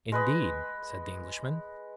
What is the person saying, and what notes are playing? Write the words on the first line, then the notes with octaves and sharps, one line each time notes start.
"Indeed!" said the Englishman.
G#3 B4 D#5